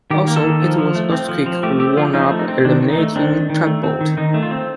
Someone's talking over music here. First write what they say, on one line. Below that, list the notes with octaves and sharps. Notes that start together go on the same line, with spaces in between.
Also, it was Earthquake who wound up eliminating Tugboat.
D#3 G4
A#3
A4
D#3
F3
F3
A3
C4
F3
F3
A3 G4
C4 G4
F3 F4
F3 D#4
A3
D#4
C4
D#3 D4
D#3
D#4
A3
C4 D4
D#3
D#3
A3
C4
D#3
D#3 D#4
A3
F4
C4